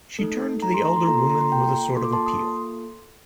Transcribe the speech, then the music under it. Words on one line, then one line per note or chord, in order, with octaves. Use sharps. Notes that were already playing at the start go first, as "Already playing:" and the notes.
She turned to the elder woman with a sort of appeal.
A3 D#4 A4
A#5
C6
A#5
C6
A#3 F4 A4 A#5
C6
A#5
C6
G5 A#5
A#3 F4 A4 C6
D6
A5 C6
C6 D#6